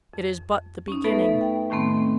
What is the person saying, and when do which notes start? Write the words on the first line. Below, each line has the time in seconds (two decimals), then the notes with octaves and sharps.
It is but the beginning!
0.14 F2
0.88 C#4 D#4
1.04 A3 B3 A4 B4 E5
1.41 G5
1.70 A2 D#3 A3 B3 C4